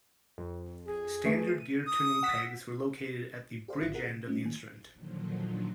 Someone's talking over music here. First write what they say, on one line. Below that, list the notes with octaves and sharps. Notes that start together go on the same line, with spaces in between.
Standard geared tuning pegs were located at the bridge-end of the instrument.
F2
G#4
E3 A3
D#7
D#6
F#5 E6 B6
G4 A4 C5 D5 F5 C6
A1 G#2 F4 F#4 E5 F#6
G#4 A#4 F#5
C3
G3 A3 C4 C#4 D#4 F4
D#3 A#3 G#5
A#2 D3 D#3 F3 F#3